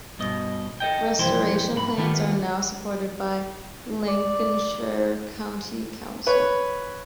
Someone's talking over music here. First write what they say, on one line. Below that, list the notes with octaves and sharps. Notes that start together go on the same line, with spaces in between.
Restoration plans are now supported by Lincolnshire County Council.
G2 B2 D#5
A4 D#5 G5
B1 F2 E3 G3 C5 G5
C2 G#2 B5
D#3 G3 A3 B3 D4 F4
D5
B4 C#5